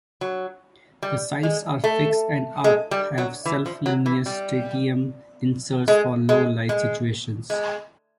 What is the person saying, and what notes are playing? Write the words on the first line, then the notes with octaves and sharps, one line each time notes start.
The sights are fixed and are have self-luminous tritium inserts for low-light situations.
F#3
G3
G#3
A3
G#3
G3
F#3
E3
F3
F#3
E3
G3
G#3
G#3
G#3
G#3